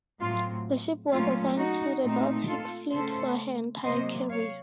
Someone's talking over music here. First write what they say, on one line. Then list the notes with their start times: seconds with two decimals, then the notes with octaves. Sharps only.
The ship was assigned to the Baltic Fleet for her entire career.
0.21 A2 F#3 C4 F4
1.11 A#2 F#3 A3 C#4 F4
1.57 D#4 F#4
2.02 A#2 A3 C4 D#4
2.48 F4 A4
2.93 C#3 A3 C#4 A4 C5
3.84 C3 F#3 A#3 C5 D#5
4.29 C#5 F5